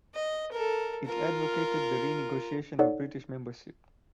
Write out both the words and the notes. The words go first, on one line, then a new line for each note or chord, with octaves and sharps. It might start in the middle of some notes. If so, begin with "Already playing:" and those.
It advocated the renegotiation of British membership.
D#5
A4 A#4
F4 A#4
D#4 A4 C#5 D5 F#5